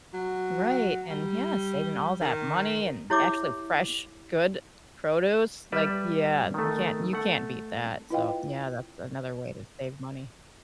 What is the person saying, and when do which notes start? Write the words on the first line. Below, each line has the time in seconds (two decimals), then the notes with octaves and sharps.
Right, and yeah, saving all that money and actually fresh good produce, like, yeah, you can't you can't beat that. So yeah, that's another way to save money.
0.14 F#3
1.10 G3
2.21 D#3
3.10 E4 G4 C#5 E5 C#6 D6
5.72 G3 B4 D5 E5
6.54 D#3 A3
7.13 A3 F#5
8.10 E4 F4 B4 D#5 F5 G5